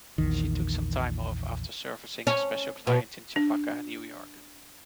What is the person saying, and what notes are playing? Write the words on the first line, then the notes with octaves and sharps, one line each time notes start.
She took some time off after "servicing" a special client in Chappaqua, New York.
A#1 E2 D#3
C#4
B2
D4